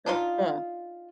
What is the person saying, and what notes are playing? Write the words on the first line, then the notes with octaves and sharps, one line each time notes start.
That's cool.
D4 D#4 F4